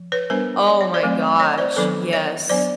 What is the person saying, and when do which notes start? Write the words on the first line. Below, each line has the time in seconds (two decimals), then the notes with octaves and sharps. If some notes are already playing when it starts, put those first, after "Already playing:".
Oh my gosh. Yes.
Already playing: F3
0.12 B4 C#5
0.30 G3 B3 D4 A#4 C5
0.67 D5
0.81 C#5
0.94 C5 D5
1.03 F#3 A3 C4
1.40 C#5 D#5
1.58 C5 D5
1.72 C5
1.76 D#3 F#3 B3 D4 A4 B4
2.13 C#5 D#5
2.49 F#3 B3 D4 C5 D5